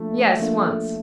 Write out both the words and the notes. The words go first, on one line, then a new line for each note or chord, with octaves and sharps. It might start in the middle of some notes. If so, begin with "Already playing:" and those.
"Yes, once."
Already playing: F3 A3 A#3 D4 F4
F3 A#3 D4 F4